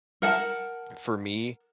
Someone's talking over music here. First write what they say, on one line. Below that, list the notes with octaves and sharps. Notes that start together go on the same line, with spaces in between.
For me
A#4 F#5 A5